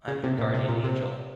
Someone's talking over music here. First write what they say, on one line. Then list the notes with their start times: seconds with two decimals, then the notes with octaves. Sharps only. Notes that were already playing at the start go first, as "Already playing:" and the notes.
I'm your guardian angel.
0.08 C#3
0.23 C3
0.38 A#2
0.54 C3
0.68 A#2
0.84 C3